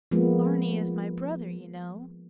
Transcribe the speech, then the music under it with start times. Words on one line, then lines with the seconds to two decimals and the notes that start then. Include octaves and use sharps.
"Barney is my brother, you know."
0.11 F3 G#3 A#3 B3